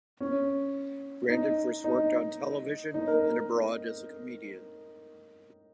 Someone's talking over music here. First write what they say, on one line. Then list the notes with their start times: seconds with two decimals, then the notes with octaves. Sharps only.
Brandon first worked on television and abroad as a comedian.
0.20 C#4
1.30 D#4
1.84 D#4
2.94 D#4
3.07 A#4